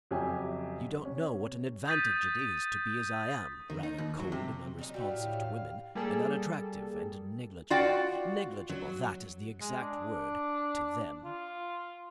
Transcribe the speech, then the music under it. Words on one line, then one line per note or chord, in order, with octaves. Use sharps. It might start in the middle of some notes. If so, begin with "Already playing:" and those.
You don't know what an advantage it is to be as I am, rather cold and unresponsive to women and unattractive and negligible--negligible, that is the exact word--to them.
F2 C#3 F#3 G4 E5 G#5
C3 C#4
D#6 G6 A6 B6 D#7
D#3
D#4
D#2
F#3
C3
A#2 C#3 D#4
G3 A3 F#4 G4
A2 F5
G3 A#3 G#4 A4
F4 F#4 D5 F#5 G5
F#3
G#3
D4
F4